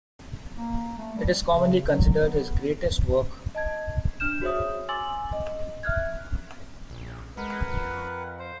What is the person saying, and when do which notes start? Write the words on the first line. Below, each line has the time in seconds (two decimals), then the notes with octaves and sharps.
It is commonly considered his greatest work.
0.57 A#3
0.98 A3
1.16 G3
1.45 C#3
1.87 F#3
2.20 B3
3.55 D#5 A5 G#6
4.20 D4 F6 G6 E7
4.42 F#4 G#4 C5 C#5 E5 D#6
4.89 G#5 C6 D6 E6 A6 F#7
5.33 D#5
5.83 E5 F6 F#6 G#6
6.90 A#1
7.37 G#3 A#4 B4 F#5
7.68 F2
8.39 C5